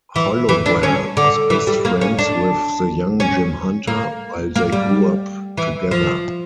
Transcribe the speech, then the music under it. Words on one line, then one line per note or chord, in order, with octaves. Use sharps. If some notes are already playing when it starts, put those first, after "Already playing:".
Hollowell was best friends with the young Jim Hunter while they grew up together.
E3
E3
D4
C#4
D3
E3
G3
A#3
C#4
D4
C#4
A#3
A#3
G3
E3
F3